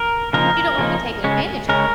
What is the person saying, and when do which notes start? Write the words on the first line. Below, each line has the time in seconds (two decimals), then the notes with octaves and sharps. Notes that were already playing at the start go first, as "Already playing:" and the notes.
but you don't wanna be taken advantage of.
Already playing: A#4
0.33 C#3 F3 A#3 D#4 A#4
0.78 C#3 F3 A#3 D#4
1.24 C#3 G#3 C#4
1.69 C#3 G#3 C#4 A#4